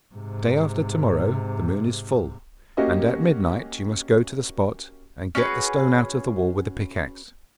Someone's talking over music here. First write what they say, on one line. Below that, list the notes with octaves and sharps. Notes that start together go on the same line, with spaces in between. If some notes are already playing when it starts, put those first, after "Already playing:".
The day after to-morrow the moon is full, and at midnight you must go to the spot and get the stone out of the wall with a pickaxe.
G#2 C3
A#3 C#4 F#4 G4 D#5
C#4 F#4 G#4 B4